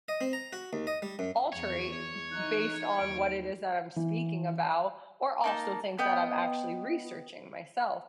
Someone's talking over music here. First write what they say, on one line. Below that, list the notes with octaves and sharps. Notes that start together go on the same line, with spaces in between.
d alterate b based on what it is that I'm speaking about, or also, things that I'm actually researching myself,
D#5
C4
A#5
F#4
D#2
D#5
G3
F#2
E2 C#5
E3 D#4 F#6
D#2 D7
E3
A#3 D#4 A5
B3 D#5 G5